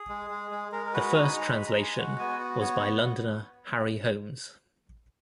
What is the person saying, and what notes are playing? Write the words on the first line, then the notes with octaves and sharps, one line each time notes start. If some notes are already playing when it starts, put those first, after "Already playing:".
The first translation was by Londoner Harry Holmes.
Already playing: G#4
G#3
G#3
G#3
G#3 A#4
A#4
F#4 B4
D#4 G#5
G#3 A#5
G#3 B5
A#5
G#3
G#5
F#4 F#5
B3 G#5
F#4
B3 C#5